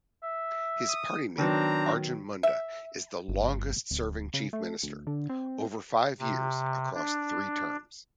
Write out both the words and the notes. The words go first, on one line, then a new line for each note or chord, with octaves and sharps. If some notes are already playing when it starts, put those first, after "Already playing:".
His party-mate Arjun Munda is the longest-serving chief minister-over five years, across three terms.
E5
D#6
D#3 F#3 B3 C4 D4 A#5
E5
G1
D1
C#3
A3
D2
D3
C4
C3
D4